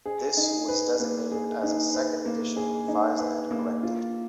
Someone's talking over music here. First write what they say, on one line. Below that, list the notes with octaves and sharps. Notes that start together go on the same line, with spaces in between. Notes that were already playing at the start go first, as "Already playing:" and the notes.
This was designated as a "second edition, revised and corrected".
G#4
D#4
B4
A#3
G#4
D#4
B4
A#3
G#4
D#4
B4
A#3
F4